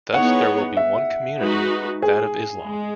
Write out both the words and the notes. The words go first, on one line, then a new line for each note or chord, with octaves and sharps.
Thus, there will be one community, that of Islam.
E3 B3 D#4 G#4 C#5 F#5
E5
G#3 D#4 F#4 B4
G#4
G#3